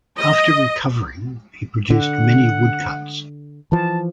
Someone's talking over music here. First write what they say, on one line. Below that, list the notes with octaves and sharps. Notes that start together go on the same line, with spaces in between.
After recovering, he produced many woodcuts.
D#5
D3 F#5
E3 F3 A5